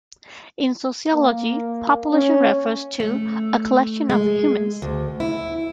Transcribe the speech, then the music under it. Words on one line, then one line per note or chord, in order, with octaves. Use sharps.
In sociology, population refers to a collection of humans.
A#3
C#4
A3
G#3
D2
E4